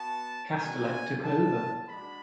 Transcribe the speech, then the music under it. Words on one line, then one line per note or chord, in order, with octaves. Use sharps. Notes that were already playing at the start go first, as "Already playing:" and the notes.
Castellet took over.
Already playing: B3 F#4 A5
G#3 B3 D4 F#4 G#5
B3 E4 A5
G#3 D4 F#4 B5